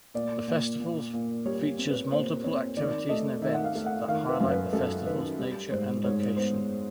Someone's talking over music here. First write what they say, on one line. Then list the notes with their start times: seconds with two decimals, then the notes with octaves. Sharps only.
The festival feature multiple activities and events that highlight the festival's nature and location.
0.15 A#2 D5
0.48 A#2
0.80 A#2
1.13 A#2
1.45 G3 C#5
1.78 C4
1.90 B4
2.12 A#2 C5
2.44 C4 C#5
2.77 D#3 D5
3.09 A3 D#5
3.42 D#3 E5
3.54 F#5
3.64 F5
3.75 A3
3.86 F#5
4.08 D#3 F5
4.29 B4
4.40 F#2
4.51 B4
4.73 F#2 A4
5.06 D#3 B4
5.39 G3
5.71 G#2 C5
6.04 G#2 C#5
6.36 B3 C5